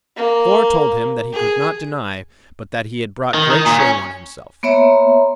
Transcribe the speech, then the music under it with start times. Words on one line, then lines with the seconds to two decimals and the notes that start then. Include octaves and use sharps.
Thor told him that he could not deny but that he had brought great shame on himself.
0.17 A#3
1.33 G#4
3.34 D#3
3.51 D#3
3.66 A#2
3.80 C#4
4.63 A#3 B3 C#5 E5 A#5 C6